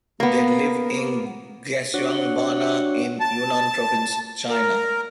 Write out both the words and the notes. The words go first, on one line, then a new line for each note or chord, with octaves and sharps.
They live in Xishuangbanna in Yunnan province, China.
A#3 B3
D4 F#4 C#5 F#5
A5
A#4